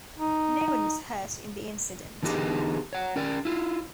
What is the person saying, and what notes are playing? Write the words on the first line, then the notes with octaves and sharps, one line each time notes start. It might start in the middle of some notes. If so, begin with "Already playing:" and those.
No one was hurt in the incident.
D#4
D3 E3 B3 D#4 G4 G#4
C#5 F#5
C#4 A#4 D5
E4 F4